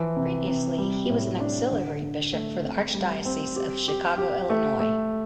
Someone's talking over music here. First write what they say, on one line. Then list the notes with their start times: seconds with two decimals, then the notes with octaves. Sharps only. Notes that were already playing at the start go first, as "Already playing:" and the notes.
Previously he was an auxiliary bishop for the Archdiocese of Chicago, Illinois.
Already playing: E3 F3
0.16 C3
0.47 C3
0.78 G3
1.10 A2
1.40 D4
1.71 D3
2.01 D3
2.33 A3
2.63 C4
2.94 G3
3.25 C4
3.56 G4
3.88 G4
4.18 G4
4.50 A3
4.80 A3